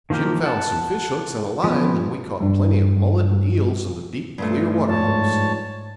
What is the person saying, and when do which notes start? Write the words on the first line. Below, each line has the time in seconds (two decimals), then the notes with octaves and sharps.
Jim found some fish-hooks and a line, and we caught plenty of mullet and eels in the deep, clear waterholes.
0.10 D#3 F3 A#3 G4 A#4
0.44 F#5 A5
1.64 F3 B3
2.41 G2 G3
4.38 G2 F3 A3
4.88 G#2 C#5 A5